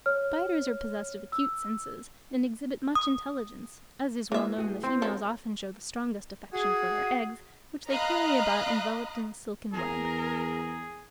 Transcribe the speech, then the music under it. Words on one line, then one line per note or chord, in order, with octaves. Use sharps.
Spiders are possessed of acute senses, and exhibit much intelligence; as is well known, the females often shew the strongest affection for their eggs, which they carry about enveloped in a silken web.
C#5 F6
E6
D#6
E3 A#3 E5
A2 F#4 G#4
C4 E4
F#4 A4 A#4 C#5
F#4 G#4
D#5 F5 A#5 B5 D#6 F#6
E2 G#4 A#4